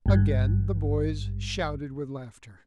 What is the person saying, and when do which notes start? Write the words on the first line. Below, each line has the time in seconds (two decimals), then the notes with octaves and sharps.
Again the boys shouted with laughter.
0.06 G#1 G2